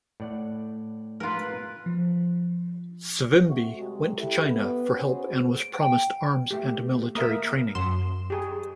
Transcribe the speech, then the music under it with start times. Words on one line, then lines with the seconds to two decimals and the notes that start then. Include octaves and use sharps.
Savimbi went to China for help and was promised arms and military training.
0.20 A2 D5 F#5
1.20 F4 A#4 B4
1.86 F3
3.46 A3 C4 F#4
3.77 C3 G3 G#3
4.16 E4 G4 A4
4.48 B3 B4
4.88 C#4 F#4 G#4 C5
5.60 D7
5.81 G5
6.51 A3 G4
7.15 A#3 A#4 E5 D#6
7.75 F#2 C6 E7
8.30 G4 G#4